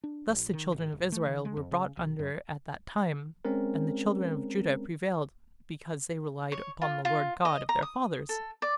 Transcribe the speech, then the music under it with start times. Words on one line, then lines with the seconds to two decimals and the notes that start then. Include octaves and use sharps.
Thus the children of Israel were brought under at that time, and the children of Judah prevailed, because they relied upon the Lord God of their fathers.
0.04 D4
0.29 A#1
0.53 D#3
0.72 G#1
0.92 D#1
1.12 A3
1.26 D#3
1.45 G#3
1.57 F2
1.71 C#3
1.97 B1
2.19 F#2
3.45 G#3 C4 C#4 A#4
6.52 C#5
6.82 F4
7.05 F4
7.45 D#5
7.69 A#5
7.82 D#6
8.29 A4
8.62 D5